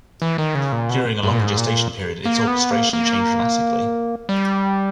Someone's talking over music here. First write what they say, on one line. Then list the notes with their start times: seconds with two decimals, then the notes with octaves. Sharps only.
During a long gestation period its orchestration changed dramatically.
0.22 E3
0.38 D#3
0.55 C#3
0.72 A#2
0.90 B2
1.23 G2
1.32 A#2
1.40 G#2
1.57 A#2
2.25 A#3
2.47 B3
2.71 A#3
2.93 A#3
4.29 G3